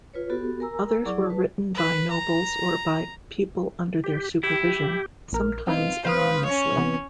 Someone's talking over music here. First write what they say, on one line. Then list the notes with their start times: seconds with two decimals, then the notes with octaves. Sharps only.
Others were written by nobles or by people under their supervision, sometimes anonymously.
0.14 F4 B4 C#5
0.30 B3 F#4 G4 A4
0.60 A#4 G#5 A#5 E6
1.05 F#3 E4 G#4 D5 C#6 D6
1.26 B4 A5
1.75 B4
2.11 A#5
4.04 G4
4.43 E4 G4
5.32 A#1 A#4 F6
5.67 C4 D#4 F4 B4
6.05 B4 C5 F5 D#6
6.45 C#4 C#5
6.76 C3 E3 B3